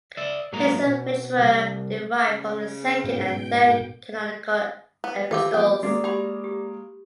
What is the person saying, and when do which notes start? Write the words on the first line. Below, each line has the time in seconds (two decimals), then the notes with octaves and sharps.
Basil which were derived from his second and third canonical epistles.
0.17 D5 E5
0.53 G#2 F#3 G#3 A#3 A#5
0.86 B2
1.40 C2
2.26 C#3
3.04 G#2 B2 G5
5.04 B3
5.31 E3 C4 F4 G4 D6
5.54 F3 A#3 B3 G5
5.83 G#3 A#3 F#4 D5
6.04 G4 G#4 B5
6.44 G4